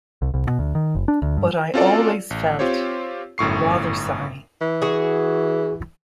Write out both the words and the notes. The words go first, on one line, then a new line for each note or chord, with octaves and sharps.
But I always felt — rather sorry.
C2
C2
B2
D2
D#3
F#1
D4
D2
G2
C4 C#4 F4 F#4 A4 D5
A1
C4 F4 G4 C5 C#5
G1 F#2 A2 C#6 C7
E3
F#4 G#4